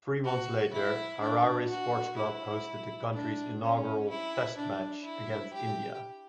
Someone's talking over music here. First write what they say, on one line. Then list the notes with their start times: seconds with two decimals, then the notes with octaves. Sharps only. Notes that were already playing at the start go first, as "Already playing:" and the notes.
Three months later, Harare Sports Club hosted the country's inaugural Test match, against India.
0.25 F#4
0.73 E4
1.21 D4
1.69 F#4
2.17 E4
3.13 D4
3.61 C#4
4.10 E4
4.57 D4
5.05 E4
5.54 G4